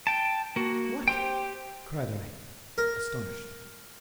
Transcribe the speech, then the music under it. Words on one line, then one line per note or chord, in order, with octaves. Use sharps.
"What?" cried I, astonished.
G5 A5
A#3 F#4
G4 C5 G5
A#4